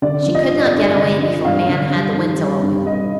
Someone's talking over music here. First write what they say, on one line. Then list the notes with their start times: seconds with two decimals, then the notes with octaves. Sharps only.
She could not get away before Nan had the window open.
0.02 D3 D5
0.26 F3
0.35 D#5
0.50 G2
0.66 D5
0.74 G2
0.97 D3 D#5
1.21 F3
1.45 G2 F5
1.69 D3
1.92 G3
2.15 D#3
2.39 G3
2.63 G2
2.86 G3 D#5